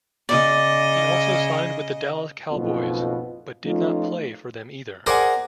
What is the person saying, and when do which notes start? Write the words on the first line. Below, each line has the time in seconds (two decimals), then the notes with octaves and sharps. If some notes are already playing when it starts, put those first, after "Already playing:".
He also signed with the Dallas Cowboys but did not play for them either.
0.29 C#3 D5 D#5
2.52 F#1 B1 F2 B2 B3 F4
3.64 F3 A3 B3 C#4 D#4 F4
5.06 G#4 A#4 C5 D5 F#5 G#5